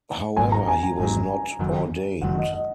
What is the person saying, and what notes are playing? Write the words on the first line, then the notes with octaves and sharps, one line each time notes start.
However he was not ordained.
G#1 G#2 F#3 G#5
A#5
G#5
G#5
G#1 G#2 F#3
F#1 F#2 D#3 F#3
F#1 F#2 D#3 F#3 F#5
D#5
D#5